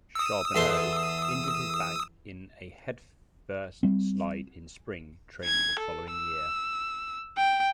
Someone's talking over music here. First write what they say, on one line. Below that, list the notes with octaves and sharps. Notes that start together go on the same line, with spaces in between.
Charboneau injured his back in a headfirst slide in spring training the following year.
D#6 E6
E2 A4 C6
G3 C4
G#6
A4
E6
G5